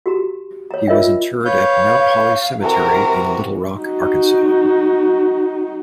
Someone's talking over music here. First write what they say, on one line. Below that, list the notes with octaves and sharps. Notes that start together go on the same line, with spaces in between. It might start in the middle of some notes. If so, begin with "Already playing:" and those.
He was interred at Mount Holly Cemetery in Little Rock, Arkansas.
F#4 G4 A#5
C#5 A#5
F4 A#4 C#5 D#5 E5 G5
B4 C#5 F5 G6
C3 E3 F#4 A#4
D#4 F#4